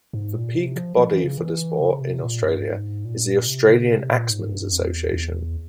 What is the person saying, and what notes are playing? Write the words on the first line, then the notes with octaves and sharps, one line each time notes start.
The peak body for the sport in Australia is the Australian Axemen's Association.
G#2
A#2
C3
F3
F3
E3
C#3
E3
C#3
C3
A#2
G2
G#2
A#2
C3
C#3
C3
A#2
G#2
G2
F2
E2
E2